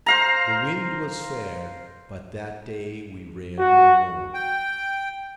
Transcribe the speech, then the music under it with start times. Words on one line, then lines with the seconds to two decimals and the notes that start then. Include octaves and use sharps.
The wind was fair, but that day we ran no more.
0.06 C5 F5 A#5
3.59 F#4
4.34 G5